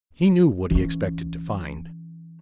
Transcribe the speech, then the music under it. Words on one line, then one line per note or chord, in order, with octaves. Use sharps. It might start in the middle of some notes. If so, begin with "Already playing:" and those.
He knew what he expected to find.
E3 C#4